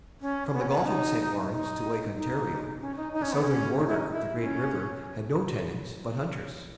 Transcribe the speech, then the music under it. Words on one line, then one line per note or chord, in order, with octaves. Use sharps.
From the Gulf of St. Lawrence to Lake Ontario, the southern border of the great river had no tenants but hunters.
C#4
B3
C#4
B3
C#4
D#4
D#4
D#4
C#4
D#4
D#4
C#4
B3
C#4
D#4
E4
D#4
E4
C#4